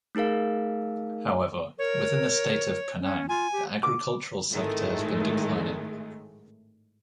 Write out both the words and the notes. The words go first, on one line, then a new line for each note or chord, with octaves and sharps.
However, within the State of Penang, the agricultural sector has been declining.
A3 D#4 G#4 A#4 F5
A#4 C#5
C#4
F4 G#5
G4
D6
G#1 A2 D#3 G#3 A3